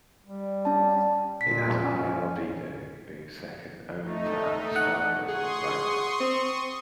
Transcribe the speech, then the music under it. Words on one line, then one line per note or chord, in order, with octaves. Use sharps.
It has a high albedo, being second only to Aristarchus in brightness.
G3
C#4 A5
A#2 B6
C#4
A3 D#4
F#5
G#4 C6 C#6 D#6
C4